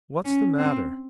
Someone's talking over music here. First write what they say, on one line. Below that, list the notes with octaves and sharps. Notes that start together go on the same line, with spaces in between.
"What's the matter?"
C#4
C4